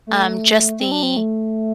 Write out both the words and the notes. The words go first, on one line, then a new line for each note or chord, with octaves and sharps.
um, just the,
A3
C4
D4
C4
A3